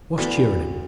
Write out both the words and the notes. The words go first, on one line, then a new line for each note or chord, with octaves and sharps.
What's cheerin' him?
D2 E3 B3 D4